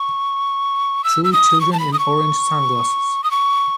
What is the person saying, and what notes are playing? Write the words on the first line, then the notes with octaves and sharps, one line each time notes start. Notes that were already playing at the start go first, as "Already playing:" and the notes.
Two children in orange sunglasses.
Already playing: C#6
E6
E6
D#6
C#6
A5
B5
D#6
C#6
D#6
C#6